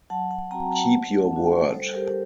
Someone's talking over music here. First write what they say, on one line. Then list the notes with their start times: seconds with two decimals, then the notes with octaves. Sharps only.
Keep your word.
0.10 F#3 F#5 A5
0.31 F#5 A5
0.51 C4 F#4 G5 A#5
0.71 F#5 A5
0.92 A3
1.33 D4 F#4
1.74 G3 A4 C5
1.94 G4 A#4